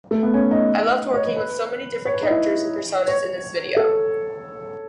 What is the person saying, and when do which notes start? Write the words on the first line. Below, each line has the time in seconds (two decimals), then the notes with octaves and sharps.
I loved working with so many different characters and personas in this video.
0.11 A3
0.23 B3
0.34 C#4
0.51 D#4
1.14 C#5
1.25 B4
1.36 B4
2.05 C#5
2.14 B4
2.23 D#4
2.30 E4
3.08 C#5
3.77 A4